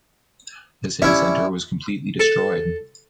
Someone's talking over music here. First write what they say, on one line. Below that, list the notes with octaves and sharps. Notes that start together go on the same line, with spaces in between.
The city center was completely destroyed.
G3 C#4 E4 E5
A4